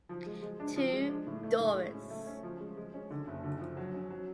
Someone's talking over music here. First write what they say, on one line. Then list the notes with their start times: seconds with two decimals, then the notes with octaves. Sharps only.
To Doris.
0.09 F3
0.26 G#3
0.42 G#3
0.60 D4
0.76 F3
0.93 G#3
1.09 D4
1.27 A2
1.43 A3
1.60 A2
1.76 G#3
1.94 C#4
2.10 A3
2.27 C#4
2.43 F3
2.60 G#3
2.77 G#3
2.94 C#4
3.11 D3
3.27 F#1
3.44 D3
3.60 F3
3.77 F#3
3.94 C#4
4.10 F#3